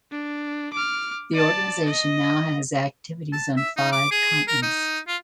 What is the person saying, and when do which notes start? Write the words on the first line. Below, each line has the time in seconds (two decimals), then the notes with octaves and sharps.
The organization now has activities on five continents.
0.11 D4
0.73 D6 F6
1.33 D5 A5
1.85 D#5
3.33 A5
3.57 E5
3.77 D#4
3.92 D6
4.12 G#4
4.48 A#4
4.63 D#4
5.08 F4